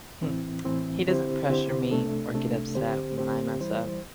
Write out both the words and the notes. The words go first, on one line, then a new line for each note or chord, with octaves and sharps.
He doesn't pressure me or get upset when I mess up.
A2 E3 C4 E4
A2 E3 C4 E4
D3 C4 E4 G4 C5
D3 C4 E4 G4 C5
C2 C3 A3 D4 A4
C2 C3 A3 D4 A4
D3 C4 G4 C5
D3 C4 G4 C5
E3 G3 E4 C5